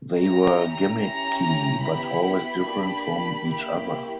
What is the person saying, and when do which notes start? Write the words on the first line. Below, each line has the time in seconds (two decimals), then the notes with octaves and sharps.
They were gimmicky but always different from each other.
0.17 C#4 E4 G4 A#5
0.99 C#4 E4 G4 A#5
1.81 B3 E4 G4 B5
2.63 A#3 D4 G4
3.46 A#3 E4 G4